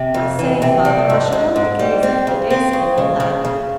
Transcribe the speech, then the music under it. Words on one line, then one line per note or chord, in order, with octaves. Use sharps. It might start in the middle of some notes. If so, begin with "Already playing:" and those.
"I say, father, I shall want the keys of the desk, and all that."
Already playing: C3
F2
E3
C3
G3
G#2
G#2
G#2
G3
C4
C#3
C4
C#3
C#3
C#3
C#3